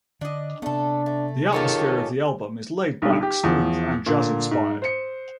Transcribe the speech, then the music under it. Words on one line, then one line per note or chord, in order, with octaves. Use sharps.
The atmosphere of the album is laidback, smooth, and jazz-inspired.
D3 D4 D#5
C3 A3 B3 D4 A4
A3
D#3 G#3 C#4 F4 G4 A4 C#5
B1 D3 G3
G4
E2 F3
A#2 D3
G#2
C5 C#7